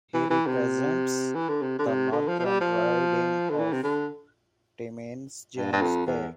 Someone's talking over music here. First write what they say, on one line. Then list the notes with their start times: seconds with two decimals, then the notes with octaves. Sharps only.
He represents the northern riding of Timmins-James Bay.
0.14 E3
0.30 E3
0.46 C3
1.35 E3
1.48 D3
1.62 C3
1.79 D3
1.86 C3
2.12 D3
2.28 F3
2.39 F3
2.45 G3
2.61 F3
3.50 D3
3.59 E3
3.72 C3
3.84 D3
5.57 G2
5.72 G2
5.81 F2
6.06 E2